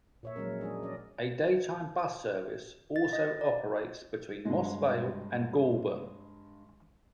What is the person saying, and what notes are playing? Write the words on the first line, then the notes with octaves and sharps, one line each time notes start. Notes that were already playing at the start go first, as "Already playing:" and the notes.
A daytime bus service also operates between Moss Vale and Goulburn.
A#2 C#5 E5
F3 F#3 G#3 C#4 A#4
G#3 D4 G#4
C#4 D5 D#5
A6
D#5
D5
G2 G#3